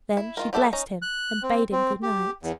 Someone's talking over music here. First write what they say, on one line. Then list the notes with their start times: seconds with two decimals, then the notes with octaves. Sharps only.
Then she blessed him, and bade him good-night.
0.17 E4
0.37 D#3 F4 A#4
0.53 F#3 G4 A4 E5
0.73 C#4 D#4 A#5
1.02 F#6
1.43 C4
1.72 C4
2.03 G4
2.43 E2